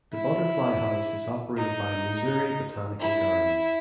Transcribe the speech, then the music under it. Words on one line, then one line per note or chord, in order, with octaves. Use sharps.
The Butterfly House is operated by Missouri Botanical Gardens.
E4
D#4
E4